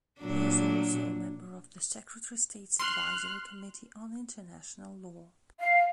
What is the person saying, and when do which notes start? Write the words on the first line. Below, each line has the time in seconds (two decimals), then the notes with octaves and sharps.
He is also member of the Secretary State's Advisory Committee on International Law.
0.21 A#2 F#3 D4
2.79 C6 F6 F#6
5.60 F5